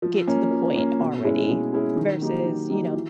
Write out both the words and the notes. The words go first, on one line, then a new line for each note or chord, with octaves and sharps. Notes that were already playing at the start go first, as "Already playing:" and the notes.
"Get to the point already," versus, you know,
F3
A#3 C#4
F3
A#3 C#4
B2
G#3 C#4 E4 G#4
B2
G#3 C#4 E4 G#4
D#3
F#3 A#3 D#4 G4
D#3
F#3 A#3 D#4 G4
E3